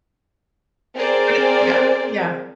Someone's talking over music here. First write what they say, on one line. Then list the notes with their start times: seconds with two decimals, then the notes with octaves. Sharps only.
but it Yeah, yeah.
0.94 C4 G#4 A#4 C5 D5